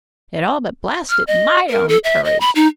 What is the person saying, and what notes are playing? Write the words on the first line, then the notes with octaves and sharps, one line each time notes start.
It all but blasted my own courage.
F6
D#5
A#4
A4
E5
D#5
B5
D#4